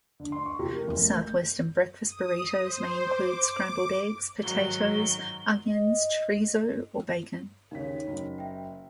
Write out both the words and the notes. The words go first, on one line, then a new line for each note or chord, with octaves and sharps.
Southwestern breakfast burritos may include scrambled eggs, potatoes, onions, chorizo, or bacon.
D3
C6
C#6
C3
A#4
F#1
A3
G6
D#6
C5
D6
G#2 D#3 F#3 G7
D#5
D#2 C#3 D#4 C#5 B6
F#1
E5 G5